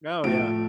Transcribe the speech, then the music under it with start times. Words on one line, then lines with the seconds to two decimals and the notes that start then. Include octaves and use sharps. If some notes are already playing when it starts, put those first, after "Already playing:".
Oh, yeah,
0.24 A2 F3 A3 D7